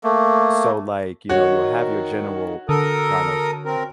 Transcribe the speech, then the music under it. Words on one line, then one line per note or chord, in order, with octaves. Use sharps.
So, like, you know, you'll have your general kind of
A3 A#3
D#3 F#4 C#5
D3 A4 A#4 D#6
C4 A#4